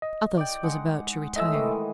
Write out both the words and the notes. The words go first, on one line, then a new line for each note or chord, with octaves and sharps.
Athos was about to retire.
D#5
D5 G5
G#3 D#4 F#5
A2 G#3 D#5 E5 E6
D#3 E3